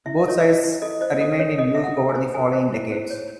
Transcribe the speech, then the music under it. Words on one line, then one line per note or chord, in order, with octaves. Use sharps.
Both sites remained in use over the following decades.
E4 E5
D#5
A4 C#5
E4 D#5
E4
A4 D#5
C5 D#5
A4 D#5
A4 C#5
A4 D#5
A4 E5
F#5
A4
G#5
C5
A4 G#5
C5
E4
C5
C#5